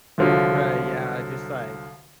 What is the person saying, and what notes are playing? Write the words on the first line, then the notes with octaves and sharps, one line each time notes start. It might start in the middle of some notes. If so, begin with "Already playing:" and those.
Right, yeah, just like
C2 D3 F3 F#3